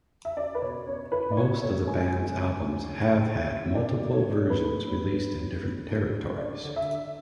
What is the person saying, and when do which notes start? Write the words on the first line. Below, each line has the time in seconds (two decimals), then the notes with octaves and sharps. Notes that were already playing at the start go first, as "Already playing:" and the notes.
Most of the band's albums have had multiple versions released in different territories.
0.25 E5
0.37 C#4 D5
0.55 B4
0.62 B2 C#5
0.87 C#4 C#5
1.12 E4 B4
1.31 D5
1.37 E4 C#5
1.62 A3 C#5
1.87 G#3 G#5
2.12 G#3
2.37 C#3
2.62 C#3
2.87 C#3
3.12 C#3
3.38 D3 E5
3.62 F#2
3.75 D5
3.88 F#2
4.13 A3 C#5
4.38 F#2
4.50 B4
4.63 A3
4.88 F#3
5.13 B3
5.38 F#3
5.63 B3
5.89 D4
6.13 D4
6.38 C#4 D5
6.64 D3
6.76 E5
6.89 D3